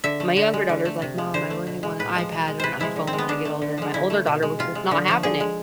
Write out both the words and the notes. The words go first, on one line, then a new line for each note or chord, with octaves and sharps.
My younger daughter is like, "Mom, I really want an iPad or an iPhone when I get older," and my older daughter was just not having it.
D3 E5
A3
D3
G#3
D3
A3
C3
G#3
D3 C5
A3
B2
G#3
A2 B4
F3 G#3
B2
G#3
C3 B4 C5
F3 G#3 E4
D3
C4
G#3
B3
D3 D4
A3
D3
F3 G#3
D3 E4
A3
B2
G#3
C3 F4
G#3
D3
F3 A3
D3 G#4
G#3